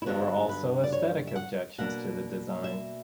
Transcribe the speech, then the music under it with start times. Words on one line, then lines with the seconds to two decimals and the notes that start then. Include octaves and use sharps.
There were also aesthetic objections to the design.
0.02 E4
0.06 G2 D3 F#3 B3 D4 F#4
0.49 B4
0.84 D5
0.92 C#5
1.27 E5
1.36 F#5
1.78 B2 A#3 D4 F#5
2.64 E5